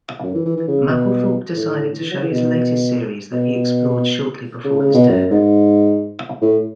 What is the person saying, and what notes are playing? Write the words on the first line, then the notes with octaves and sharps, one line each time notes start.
Mapplethorpe decided to show his latest series that he explored shortly before his death.
F#2
E3
E3
E3
C#3
B2
A2
E3
F#3
E3
B2
B2
C#3
C#3
B2
F#2
G#2
A2